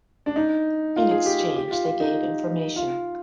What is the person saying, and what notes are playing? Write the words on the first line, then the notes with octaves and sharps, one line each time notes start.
In exchange they gave information.
D4
D#4
F4
G#4
G4
G4
G4
F4
F4
D#4
F4